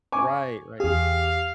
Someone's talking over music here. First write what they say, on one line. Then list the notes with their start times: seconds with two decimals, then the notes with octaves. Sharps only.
Right, right.
0.12 G#5 C#6 D6
0.80 E2 G4 G#4 F5